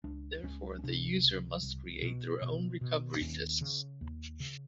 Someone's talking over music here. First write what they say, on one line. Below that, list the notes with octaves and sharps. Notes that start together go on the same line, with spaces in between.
Therefore, the user must create their own recovery disks.
C#2 D4
C#2 C#4
C#4
C3 D4
C#2
C2
B2
B2
B2
D4
D#2 C#4
C#3
D#2
C#3